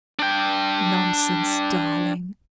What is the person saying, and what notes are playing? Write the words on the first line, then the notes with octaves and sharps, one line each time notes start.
'Nonsense, darling!
D4 G5